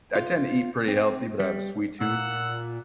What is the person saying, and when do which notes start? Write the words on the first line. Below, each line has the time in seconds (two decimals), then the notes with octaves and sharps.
I I tend to eat pretty healthy, but I have a sweet tooth,
0.15 F4
0.88 C4
1.40 G3
2.01 A#2 F#5 E6